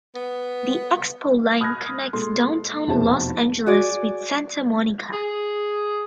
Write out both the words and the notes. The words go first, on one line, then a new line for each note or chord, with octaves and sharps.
The Expo Line connects Downtown Los Angeles with Santa Monica.
B3
B5 D#6 F6 F#6 G#6 A#6
A#2 G#3 A4 C6
F1 E2 B2 E4 C5 A5
F#4 G#4 D5
G#4